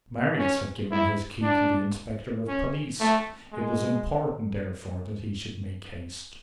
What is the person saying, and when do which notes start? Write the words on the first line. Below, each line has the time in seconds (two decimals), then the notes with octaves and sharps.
Marius had given his key to the inspector of police; it was important, therefore, that he should make haste.
0.38 C#4
0.91 E4
1.43 D4
2.48 C#4
3.00 A3
3.53 G#3